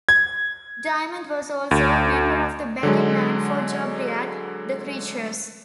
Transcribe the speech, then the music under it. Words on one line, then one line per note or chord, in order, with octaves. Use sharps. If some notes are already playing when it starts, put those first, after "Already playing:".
Diamond was also a member of the backing band for Jobriath, The Creatures.
G#6
D2
D3 F#3 G#3